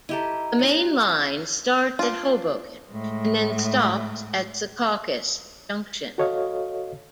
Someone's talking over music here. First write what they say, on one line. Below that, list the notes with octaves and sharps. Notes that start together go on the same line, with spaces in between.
The Main Line starts at Hoboken and then stops at Secaucus Junction.
E4 G4 A4 D#5 A#5
D#4 C#5 A#5
F#4
D4 F4
A2 G#3
F#4 A4 C#5 D#5 F5